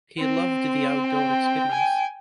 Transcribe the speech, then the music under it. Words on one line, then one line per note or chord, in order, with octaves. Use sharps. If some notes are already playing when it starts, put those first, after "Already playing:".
He loved the outdoor experience.
C4
G5
G#5